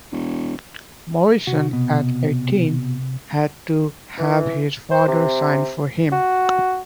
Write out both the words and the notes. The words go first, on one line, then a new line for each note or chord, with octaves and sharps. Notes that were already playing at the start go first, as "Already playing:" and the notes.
Morrison, at eighteen, had to have his father sign for him.
E1
C3 F#4
B2
E3
C5
C3
F#4